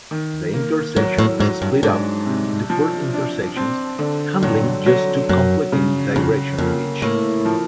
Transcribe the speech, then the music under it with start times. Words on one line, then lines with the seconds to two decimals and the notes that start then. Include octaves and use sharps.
The intersection is split up into four intersections, handling just two conflicting directions each.
0.11 D#3
0.54 A#3
0.96 G#2 F#3
1.18 A2
1.39 G#2 F#3
1.62 G2
1.83 G#2 D4
2.26 C3
2.70 F3
3.14 D4
3.56 C4
3.99 D3
4.43 G2 F#3
4.86 F#3
5.29 F#2 F#3
5.72 C#3
6.16 F2 C#3
6.58 F2 A#3
7.02 A2 A#3
7.45 F3